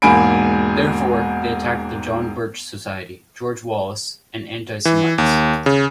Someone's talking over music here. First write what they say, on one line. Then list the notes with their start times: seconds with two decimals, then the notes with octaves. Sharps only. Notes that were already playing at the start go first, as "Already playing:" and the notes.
Therefore, they attacked the John Birch Society, George Wallace, and anti-Semites.
0.02 E1 G#2 A#3 G#5 B5 D7
4.85 E3
5.18 D#2
5.66 C#3